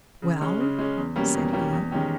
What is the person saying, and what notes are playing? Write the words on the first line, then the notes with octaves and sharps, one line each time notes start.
"Well?" said he.
C#3
G#3 C#4
C#3
G#3 C#4
E2
B2 G3 A#3 C#4
E2
B2 G3 A#3 C#4
E2
D#3 G#3 C#4 G4